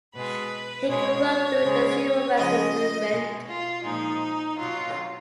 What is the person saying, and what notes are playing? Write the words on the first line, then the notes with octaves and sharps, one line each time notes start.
He grew up during the civil rights movement.
B2 G#3 B4
B2 G#3 C#5
C#3 G#3
C#3 F3 G#3 D#5
B2 G#3
F4
A#2 F3 G#3 D#4
B2 F#3 F4